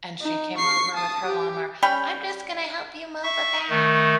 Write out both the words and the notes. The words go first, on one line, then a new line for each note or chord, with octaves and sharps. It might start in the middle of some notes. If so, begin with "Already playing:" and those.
and she came over with her lawnmower, "I'm just gonna help you mow the back."
D#4
C#6 C7
A5 D#6
G4
G3 C#4 G5 B5
E5 C#6
D#3 A3